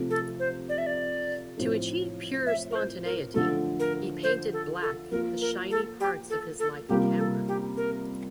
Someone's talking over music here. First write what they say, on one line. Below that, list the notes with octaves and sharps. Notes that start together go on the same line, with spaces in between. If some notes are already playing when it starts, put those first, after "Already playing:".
To achieve pure spontaneity he painted black the shiny parts of his Leica camera.
Already playing: C3 F3 A3
A4
C5
D5
E5
D5
A2 F3 C4 E4
E5
A#4
C5
A#4
D3 F3 A3 A4
A#4
C5
A4
A4
F3 A#3 F4 A#4
A#4
A4
G4
A4
A4
C3 G3 A#3 F4 G4
A4
G4
A#4